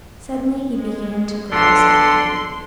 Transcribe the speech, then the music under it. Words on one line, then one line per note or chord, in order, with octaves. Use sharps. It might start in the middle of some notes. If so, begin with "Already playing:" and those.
Suddenly he began to growl softly.
G#3
B1 D3 A5 C6